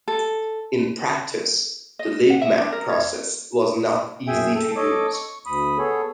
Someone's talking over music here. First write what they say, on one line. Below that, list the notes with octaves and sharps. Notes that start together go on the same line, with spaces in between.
In practice, the Lippmann process was not easy to use.
A4
D#5
F#5
E5
D4
A#4
C#5
F#2 G#4 E5 G5 G#5
A4
A4 C#5 D#5 D6
C#6
D2 B5 D#6
B3 G#4 A4 C#5